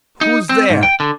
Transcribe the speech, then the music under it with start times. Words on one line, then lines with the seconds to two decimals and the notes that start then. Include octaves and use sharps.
'Who's there?
0.21 D#4
0.49 C4
0.70 G#2
0.83 G5
1.00 D3